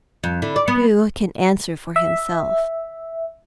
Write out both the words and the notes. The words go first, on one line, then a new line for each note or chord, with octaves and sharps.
Who can answer for himself?
F2
D3 E4
D5
B3
E5